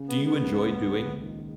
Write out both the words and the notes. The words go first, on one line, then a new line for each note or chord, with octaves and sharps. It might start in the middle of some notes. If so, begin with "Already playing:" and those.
Do you enjoy doing
Already playing: C#3
B3
G#3
B3
C#2
C#2
A#1
D#3